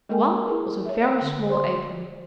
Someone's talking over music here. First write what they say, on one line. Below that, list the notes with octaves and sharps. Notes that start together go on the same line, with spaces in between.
One was a very small apron.
G#3 A#3 A4 A#4 G5 G#5
E4 G#4 A#4 B4
C#5 E5
D3
C5 D5 C6